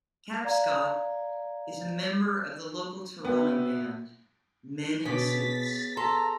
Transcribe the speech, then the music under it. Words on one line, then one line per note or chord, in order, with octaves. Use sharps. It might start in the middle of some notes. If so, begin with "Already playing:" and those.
Tapscott is a member of the local Toronto band, Men in Suits.
D5 F5 A#5 G#6
B3 F#4 B4 E5 G5
B2 G#4 C#5 D6 A6 B6
A4 A#5 C6